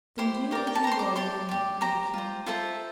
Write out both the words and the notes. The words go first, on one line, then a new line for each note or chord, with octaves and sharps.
"Then do as you will with me!" cried the king.
E4 G4 C5 C6
G4 A#4 D5
G5
A5
G4 C5 A#5 C6
D6
E4 G4 D5 C6
G4 D5
G4 C5 A#5
F4 C5
F4 A4 C5 E5